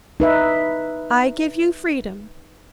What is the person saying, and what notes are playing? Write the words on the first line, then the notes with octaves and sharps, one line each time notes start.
I give you freedom.
D#4 B4 E5